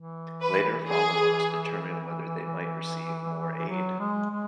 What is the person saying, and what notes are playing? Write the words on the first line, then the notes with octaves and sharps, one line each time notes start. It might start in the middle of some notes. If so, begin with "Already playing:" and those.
Later follow-ups determine whether they might receive more aid.
Already playing: E3
B4
G#4
F#3
G#3
G#3